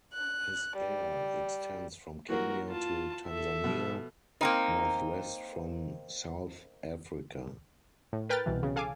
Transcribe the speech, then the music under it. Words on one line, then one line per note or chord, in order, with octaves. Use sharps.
His air extends from Kenya to Tanzania, northwest from South-Africa.
F#6
G3
E3 F#3 A#3 F#4 A#4
F4 A5
A4 E5
B2 F3
A#3 C4 D#4 A#4
A2
A#4 B4 G5 F6 F#6 A6
C2 B2 E3
C#3
A4 F5 G#5 A5 D6